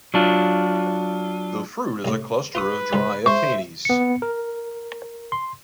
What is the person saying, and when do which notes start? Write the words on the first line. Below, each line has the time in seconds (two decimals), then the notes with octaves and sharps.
The fruit is a cluster of dry achenes.
0.14 F#3 D4 F4
2.05 C2 A2
2.55 F4 B4 C#6 D#6
2.93 C#2 G2 G3
3.26 G#2 C5 E5 C#6
3.85 B3 C#7
4.22 A#4
5.32 C6